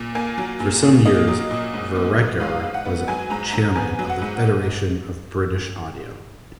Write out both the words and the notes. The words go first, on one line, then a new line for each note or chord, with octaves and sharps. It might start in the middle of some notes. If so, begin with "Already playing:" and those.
For some years Vereker was chairman of the Federation of British Audio.
Already playing: A#2
A#3 G#5
F#3
A#2
A#2
A#3 D#5
F#3
A#2
G#2
B3
F#3
G#2 F5
G#2
F#5
B3
F#3 G#5
G#2 A#5
G#2 A#5
B3 G#5
F#3
F#5
G#2